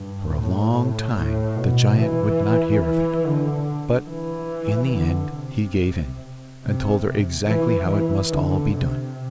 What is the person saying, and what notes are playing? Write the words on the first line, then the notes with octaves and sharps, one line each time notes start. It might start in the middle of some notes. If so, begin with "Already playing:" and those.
For a long time the giant would not hear of it, but in the end he gave in, and told her exactly how it must all be done.
Already playing: G2
A2
A2
B2
E3
E3
D3
E3
D3
C3
C3
E3
E3
D3
C3